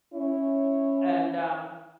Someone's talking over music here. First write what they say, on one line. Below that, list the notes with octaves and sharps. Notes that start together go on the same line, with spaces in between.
and, um
C#4 E4 C#5